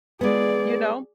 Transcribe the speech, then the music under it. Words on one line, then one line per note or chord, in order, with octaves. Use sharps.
you know?
G#3 B3 G#4 D5